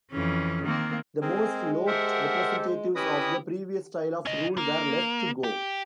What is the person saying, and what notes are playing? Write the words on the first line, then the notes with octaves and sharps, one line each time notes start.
The most loathed representatives of the previous style of rule were left to go.
F2 E3 C#4
D#3 A#3 C4
G#3 C4 G#4 A#4 G#5
G4 A4 A#4 C5 E5 F#5
C#4 E4 G4 B4 D#5 D#6
C#4 D#5
A#3
G4